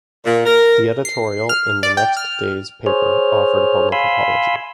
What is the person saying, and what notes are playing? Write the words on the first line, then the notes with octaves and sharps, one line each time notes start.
The editorial in the next day's paper offered a public apology.
A#2
A#4
C7
F6
D5
G5
F6
G#4 C5 C#5 F6
F5 G#5 B5 C6 E6